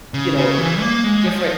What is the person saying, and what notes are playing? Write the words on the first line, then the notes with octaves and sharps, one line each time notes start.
you know, uh, different
C#3
C#3
E3
A#3
G#3
F3